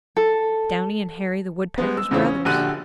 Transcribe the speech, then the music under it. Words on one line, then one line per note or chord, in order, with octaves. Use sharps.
Downy and Hairy the Woodpeckers were others.
A4
G3 G#3 B3
E6
E2 C#3 E3 C4 F4 C#5
C#4
A#1 D3 F#4 G4 F#6 D#7